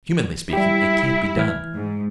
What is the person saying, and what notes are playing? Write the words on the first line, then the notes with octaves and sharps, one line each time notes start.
Humanly speaking, it can't be done.
G3 E4 G4
E3 F6 G#6
G#2